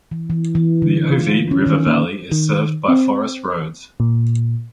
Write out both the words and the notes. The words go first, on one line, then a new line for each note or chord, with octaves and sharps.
The Ovide river valley is served by forest roads.
E3
E3
E3
D3
F4
C#4
D#3
A#3
D#3
C4
A#2